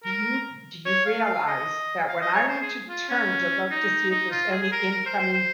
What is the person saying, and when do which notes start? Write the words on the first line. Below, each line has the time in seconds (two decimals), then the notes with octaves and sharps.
Do you do you realize that when I went to turn to look to see if there's any incoming
0.04 A#4
0.86 C#5
1.06 F5
1.26 F5
1.47 D#5
2.07 F5
2.21 D#5
2.34 C#5
2.48 C5
2.62 G#4
2.89 F4
3.09 C#4
3.70 D#4
4.10 D#4
4.31 F4
4.51 G#4
4.62 G#4
4.72 A#4
4.92 A#4
5.06 C5
5.19 C5
5.33 C5